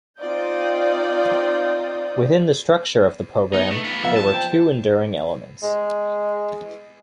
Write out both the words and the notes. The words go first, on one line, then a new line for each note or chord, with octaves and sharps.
Within the structure of the program, there were two enduring elements.
C4 D#4 F4 D5 D#6 G6
B3 D#4
A3
F4 B4
F2 B3 E5 F5
A5
C5 G5
G#3